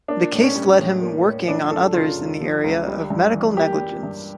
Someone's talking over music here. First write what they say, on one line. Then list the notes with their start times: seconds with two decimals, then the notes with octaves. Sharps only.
The case lead to him working on others in the area of medical negligence.
0.08 A#3 D4
0.32 A2
0.43 C#4
0.55 G3
0.78 A2
1.01 A#3
1.25 A2
1.48 F3 D4
1.71 C#2 A4
1.94 C#3 F4
2.17 C#2
2.40 F3
2.64 C#2
2.87 G3
3.10 G2
3.34 E3
3.57 A#3 G4
3.80 G3
4.03 G2